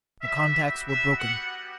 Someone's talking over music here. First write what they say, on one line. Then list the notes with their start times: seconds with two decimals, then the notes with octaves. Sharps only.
The contacts were broken.
0.22 G3 B3 F#4 E5
0.86 E5
1.18 F#5